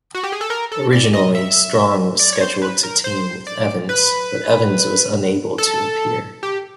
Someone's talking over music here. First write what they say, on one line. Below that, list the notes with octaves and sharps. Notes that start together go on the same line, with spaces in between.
Originally, Strong was scheduled to team with Evans, but Evans was unable to appear.
F#4
G4
G#4
A4
A#4
A4
D5
D#5
E5
D5
C#5
C5
B4
A#4
C5
D5
B4
A4
G4